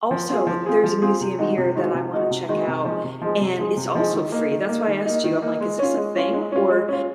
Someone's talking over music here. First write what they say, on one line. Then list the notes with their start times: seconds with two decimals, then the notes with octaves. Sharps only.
also, there's a museum here that I wanna check out, and it's also free, that's why I asked you, I'm like, is this a thing or
0.11 F3
0.29 C4 F4 G#4
0.47 F3
0.66 C4 F4 G#4
0.84 F3
1.02 C4 F4 G#4
1.21 C3
1.39 D#3 G#3 D#4 F#4
1.58 C3
1.76 D#3 G#3 D#4 F#4
1.94 C3
2.12 D#3 G#3 D#4 F#4
2.31 C3
2.48 D#3 G#3 D#4 F#4
2.67 C3
2.85 F3 G#3 D#4 G#4
3.04 C3
3.22 F3 G#3 D#4 G#4
3.41 C3
3.59 F3 G#3 D#4 G#4
3.77 C3
3.95 F3 G#3 D#4 G#4
4.14 D#3
4.32 A#3 D#4
4.51 D#3
4.69 A#3 D#4
4.87 D#3
5.06 A#3 D#4
5.24 D#3
5.42 A#3 D#4
5.61 G#3
5.79 C#4 F4
5.97 G#3
6.16 C#4 F4
6.33 G#3
6.52 C#4 F4
6.70 G#3
6.88 C#4 F4